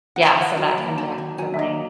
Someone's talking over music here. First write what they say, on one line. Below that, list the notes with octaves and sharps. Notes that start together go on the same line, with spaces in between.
Yeah. So that can definitely
D#4 F#5
G5
D#3 F#5
F#3 A5
A#5
A#3 B5
A#5
D#4 A5
D#3
F#3 G#5
E5
A#3 D#5